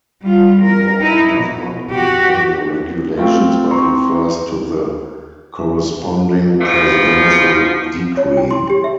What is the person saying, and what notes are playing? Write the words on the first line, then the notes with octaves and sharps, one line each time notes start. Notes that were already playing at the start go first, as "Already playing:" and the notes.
The law does not give any regulations, but refers to the corresponding Presidential Decree.
G3 F4
A#4
D#4 E4
B2
F#4 G4
A3 C4 F4 G5
A#5 C6 C#6
G#2 B2 F3
C#5
G5
C6
G4
E5